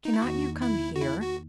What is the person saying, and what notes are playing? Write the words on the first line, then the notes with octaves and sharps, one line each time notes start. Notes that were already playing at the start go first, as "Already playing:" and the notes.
Cannot you come here?
D#4
E4
E2 D#3 A#3 D#4 F#4
E4
F#4
E4
F#4